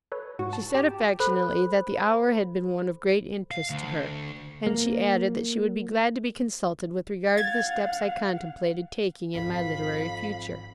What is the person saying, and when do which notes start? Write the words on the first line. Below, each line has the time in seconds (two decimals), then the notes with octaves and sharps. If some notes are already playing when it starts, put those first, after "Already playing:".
She said affectionately that the hour had been one of great interest to her, and she added that she would be glad to be consulted with regard to the steps I contemplated taking in my literary future.
0.12 A4 B4 C#5
0.39 G#2 F#4
0.53 A5
0.75 G4 A5
1.20 A4 C5 B5 F#6
3.51 F5
3.70 D2
4.67 A#3
7.37 F5 F#5 G#6 A6
9.35 G#1 F2 F5 B5